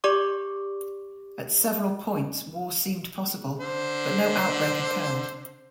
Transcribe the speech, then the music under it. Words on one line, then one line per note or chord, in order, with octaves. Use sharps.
At several points war seemed possible, but no outbreak occurred.
G4 D5 C#6 D6
D3 C5